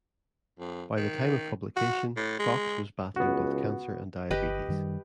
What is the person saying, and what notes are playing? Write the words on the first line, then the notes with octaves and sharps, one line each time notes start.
By the time of publication, Fox was battling both cancer and diabetes.
F2
D#3
F#4
A2
G#3
C#2 B3 F#4
G1 G4 B4 D#5
F#2 D#3 G3